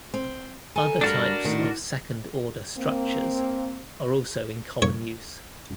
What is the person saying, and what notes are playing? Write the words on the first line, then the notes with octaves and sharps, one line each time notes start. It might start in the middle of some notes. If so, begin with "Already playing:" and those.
Other types of second order structures are also in common use.
C4
A4 G#5 A#5
G2 G3 D4 F#4 A#4
A2 D#3
A#3 C4
C#5